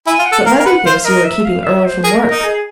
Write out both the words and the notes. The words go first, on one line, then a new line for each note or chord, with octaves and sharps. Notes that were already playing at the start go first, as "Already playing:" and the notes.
"But mother thinks you are keeping Earle from work."
E4 G#5
F4
F#5
A4
A#4 F5
A#4
B4 F#5
C5 F5
A#4 D#5
E5
F5
E5
C5
G#4 A#4
D#4
G#4